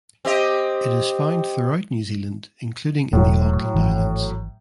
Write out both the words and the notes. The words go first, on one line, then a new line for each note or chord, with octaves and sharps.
It is found throughout New Zealand including in the Auckland Islands.
C4 G4 D#5
E1 A2 F#3
G#1 E3